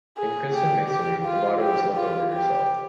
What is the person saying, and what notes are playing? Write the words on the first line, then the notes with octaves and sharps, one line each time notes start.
In Christian masonry the motto is “Look over yourself”.
G#4
G4
G4
F4
G4
F4
G4